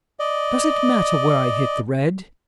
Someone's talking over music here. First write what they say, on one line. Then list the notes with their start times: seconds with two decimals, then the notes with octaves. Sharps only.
"Does it matter where I hit the red?"
0.19 D5 D#5